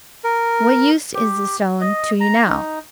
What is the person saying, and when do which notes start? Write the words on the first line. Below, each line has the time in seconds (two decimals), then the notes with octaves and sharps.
What use is the stone to you now?
0.24 A#4
1.15 G4
1.81 D#5
2.20 A#5
2.46 D#4